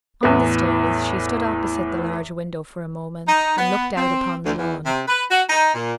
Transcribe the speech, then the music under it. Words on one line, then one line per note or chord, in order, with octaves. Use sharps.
On the stairs she stood opposite the large window for a moment, and looked out upon the lawn.
E2 A2 E3 B3
D#4
B3
C4
D2
E2
C3
B4
F#4
D#4
A#2